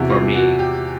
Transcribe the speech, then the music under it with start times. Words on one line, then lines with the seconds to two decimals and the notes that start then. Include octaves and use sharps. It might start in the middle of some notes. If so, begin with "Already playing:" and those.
for me,
Already playing: E2 C3 E3 F#4
0.10 F4
0.34 F#4
0.59 G4